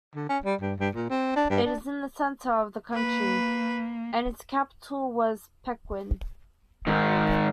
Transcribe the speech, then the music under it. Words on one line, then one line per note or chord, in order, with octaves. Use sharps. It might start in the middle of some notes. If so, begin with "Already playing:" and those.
It is in the centre of the country, and its capital was Peqin.
D3
C#4
G3
G2
G2
A#2
C4
D4
G2
D4
A#3 B4
G#2 D#3